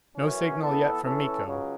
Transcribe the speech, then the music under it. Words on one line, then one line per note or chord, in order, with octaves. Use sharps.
No signal yet from Miko.
F#2 E3 C#4
E3 B3 A4
E3 C#4 A4
C#2 C#3 F#3